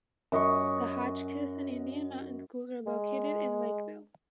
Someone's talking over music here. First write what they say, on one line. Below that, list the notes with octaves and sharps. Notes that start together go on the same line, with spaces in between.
The Hotchkiss and Indian Mountain Schools are located in Lakeville.
F#2 D#5 C#6
G#3